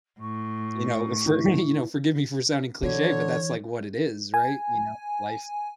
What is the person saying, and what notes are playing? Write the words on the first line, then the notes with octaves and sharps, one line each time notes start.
You know, for you know, forgive me for sounding cliche, but that's, like, what it is, right, you know, life
A2 C#6
E4
D3 E3 C#5
G#5